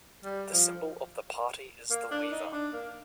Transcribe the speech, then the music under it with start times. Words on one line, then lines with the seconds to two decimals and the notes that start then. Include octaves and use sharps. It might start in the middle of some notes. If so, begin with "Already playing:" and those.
The symbol of the party is the weaver.
0.24 G3
0.53 F3
1.90 A#3
2.11 D4
2.32 D#4
2.53 D4
2.73 A#3